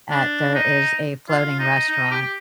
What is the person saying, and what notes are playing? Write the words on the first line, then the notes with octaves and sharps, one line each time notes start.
at there is a floating restaurant
D4
D#4
F4
D#4
D#4
G4
G4